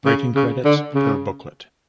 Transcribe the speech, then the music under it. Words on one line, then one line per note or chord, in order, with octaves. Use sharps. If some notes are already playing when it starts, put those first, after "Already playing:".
Writing credits per booklet.
C#3
C#3
D3
C#3